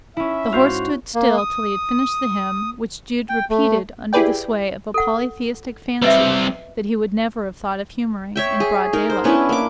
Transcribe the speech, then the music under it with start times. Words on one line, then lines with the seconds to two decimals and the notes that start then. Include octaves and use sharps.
The horse stood still till he had finished the hymn, which Jude repeated under the sway of a polytheistic fancy that he would never have thought of humouring in broad daylight.
0.17 C#4 E4 E5
0.53 G#2 F#4 C5 F5
1.15 A#3
1.37 D#6
3.29 G5
3.50 A3
4.13 E4 G4 G#4 B4 D5 G5
4.94 A4 F#5
6.02 G3 C4 B4 D#5 E5
8.36 C#5 E5 G5
8.60 G#4
8.93 D#4 A#4
9.10 C5
9.24 B3 C#4 D4 E4
9.49 A#3 D6